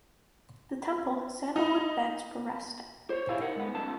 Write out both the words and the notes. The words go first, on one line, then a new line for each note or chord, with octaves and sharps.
The temple has sandalwood beds for resting.
D#4
C5 C#5
E4 G4 C#5 E5 F5 G#5
D#4 A#4 F#5
G#3 B3
C#2 F#2 D#3 A3 A5